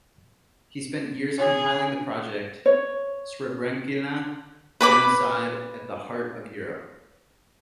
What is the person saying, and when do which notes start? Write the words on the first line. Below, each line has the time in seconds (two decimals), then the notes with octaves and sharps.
He spent years compiling the project "Srebrenica - genocide at the heart of Europe".
1.38 G#4 C#5
2.66 C#5
4.81 B4 B5 D6